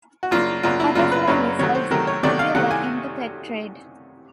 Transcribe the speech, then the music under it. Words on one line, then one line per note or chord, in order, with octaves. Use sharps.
Butterfly lizards are popular in the pet trade.
F#4
F#2 C#3 F#3 A#3 D4 F4
F#2 C#3 F#3 A#3 D4 F4
E4
F#2 C#3 F#3 A#3 D4 F4
B4
F#2 C#3 F#3 A#3 D4 C#5
C3 D#3 F#3 A3 C#5
C5
C3 D#3 F#3 A3 A#4
C#5
C3 D#3 F#3 A3 D5
F5
C3 D#3 F#3 A3 F#5
G#5